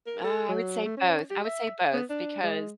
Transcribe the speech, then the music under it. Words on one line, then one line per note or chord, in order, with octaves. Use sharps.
I would say both I would say both, because,
A#4
A4
F#3
A3
C#4
G4
E5
B3
D4
G#3